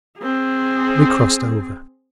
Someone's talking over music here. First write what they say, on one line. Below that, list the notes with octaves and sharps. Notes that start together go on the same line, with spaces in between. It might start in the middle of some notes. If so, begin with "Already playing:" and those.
We crossed over.
C4 G#4